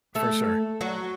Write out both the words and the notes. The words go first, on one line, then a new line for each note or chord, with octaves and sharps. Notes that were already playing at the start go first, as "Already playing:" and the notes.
For sure.
A3 A4
F#3 F#4